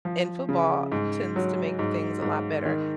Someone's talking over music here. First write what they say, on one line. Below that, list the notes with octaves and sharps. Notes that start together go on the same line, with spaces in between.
and football tends to make things a lot better.
F3
C#3
G#2
F#3
G#2
G#2
D#3